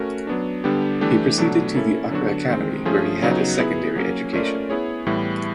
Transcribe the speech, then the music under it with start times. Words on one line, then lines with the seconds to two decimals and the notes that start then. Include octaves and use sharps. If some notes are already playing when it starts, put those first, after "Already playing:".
He proceeded to the Accra Academy where he had his secondary education.
Already playing: A3 C#4 F#4 A#4
0.27 F#3 B3 D4
0.64 D3 G3 B3 D4 G4
1.01 E3 A3 D4 G4
1.38 B2 F#3 A3 D4
1.74 A#3 C#4 E4 A4
2.11 D3 F#3 B3 D4 F#4
2.48 D#3 G#3 C4
2.85 F3 A3 C#4 F4 G#4
3.22 C#3 F#3 B3 D#4 F#4
3.59 B3 E4 G#4
3.96 F#3 A#3 C#4
4.33 A3 C#4 F4 A#4 D5
4.70 B3 E4 G#4 C#5
5.06 A2 E3 G3 B3 E4